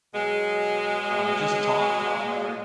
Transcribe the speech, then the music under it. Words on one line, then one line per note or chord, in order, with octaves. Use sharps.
uh, just talk about our
B2 F#3 G#3